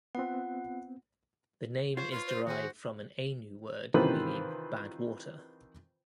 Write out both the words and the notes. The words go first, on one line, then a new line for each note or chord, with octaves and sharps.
The name is derived from an Ainu word meaning "Bad Water".
B3 C4 F4 F#5
F4 C5 C#5
F4 B4 C#5 C6
C5
D#3 F#4 G#4 C5
C3 D#3 E3 F4 B4 C5